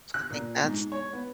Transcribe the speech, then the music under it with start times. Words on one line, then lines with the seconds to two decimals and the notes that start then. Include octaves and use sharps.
So, I think that's,
0.14 F#6
0.30 A#2
0.64 G#2
0.92 C#5
1.13 B3